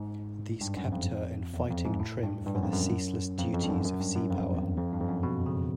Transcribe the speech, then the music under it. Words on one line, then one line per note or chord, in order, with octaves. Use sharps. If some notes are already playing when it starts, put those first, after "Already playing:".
These kept her in fighting trim for the ceaseless duties of seapower.
Already playing: G#2
G2
F#2
F2
E2
F2
G#2
A2
G2
G2
F#2
F2
F#2
F2
F2
G2
F#2
F#2
G2
F#2
F2
E2
F2
G2
F2
F#2
B2
C#3